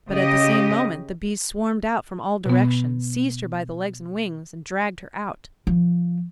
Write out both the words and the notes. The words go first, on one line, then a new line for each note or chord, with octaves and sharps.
But at the same moment the Bees swarmed out from all directions, seized her by the legs and wings, and dragged her out.
C#3 G4 D#5
B2 B3
F3